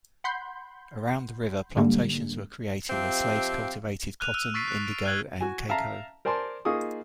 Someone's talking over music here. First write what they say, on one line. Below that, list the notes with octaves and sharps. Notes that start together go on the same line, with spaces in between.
Around the river, plantations were created where slaves cultivated cotton, indigo and cacao.
F#5 B5 C6 G6
G#2 D3 G3 A#3
F3 C4 G4 E5 F5
F6 F#6 D#7 F7
E6 F6 D#7
C#6 E6 A6 B6 C7 D7
F#6
D7
F6 F#6 G#6 F#7 G7
F#4 G#5
E5 F5 A5 A#5
A#4 C5 D5 G#5 A5 C6
A#3 D#4 F4 G#4 C#6 D#6